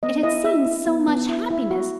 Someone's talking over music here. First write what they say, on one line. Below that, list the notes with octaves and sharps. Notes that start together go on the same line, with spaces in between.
It had seen so much happiness.
B3 D#5
E4 D#5
E4 E5
E4
B3
B3
E4
E4
F#4